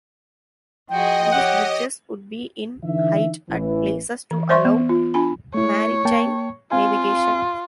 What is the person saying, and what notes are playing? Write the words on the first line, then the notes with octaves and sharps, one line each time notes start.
These bridges would be in height at places to allow maritime navigation.
F3 F#4 G#4 D#5 G5
G4 C#5 F#5
D3 E3 D#4 E5
A1 E3
E3
C5 D5 E5 C6 C#6
B3
F4
D4 F4 G#5 B5
A3 E4 C#5
A#3 G5 A5
C4 F4 F5 G#5